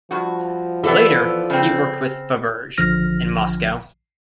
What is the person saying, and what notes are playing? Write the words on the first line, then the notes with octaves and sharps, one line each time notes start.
Later he worked with Faberge in Moscow.
G2 F3 F#4
E3 B3 A4 B4 D5
C#3 C4
A#1 D3 F3 F6 A#6